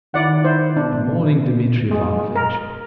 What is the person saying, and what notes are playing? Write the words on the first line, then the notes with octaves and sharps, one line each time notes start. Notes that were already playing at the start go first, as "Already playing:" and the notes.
"Good-morning, Dmitri Ivanovitch."
D#3 E4 D5 F#5
E4 C5
B2 D4
B2
G#3
A#4